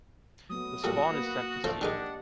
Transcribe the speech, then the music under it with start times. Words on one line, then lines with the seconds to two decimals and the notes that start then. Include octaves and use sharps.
The spawn is sent to sea.
0.50 F#3 A3 B3 D#6
0.84 A#2 G3 F#4 A4
1.11 A#3 B4
1.64 A3 F4 A4 C5 D5
1.81 D#3 G#3 D4 D#4 G4 D#5 F#5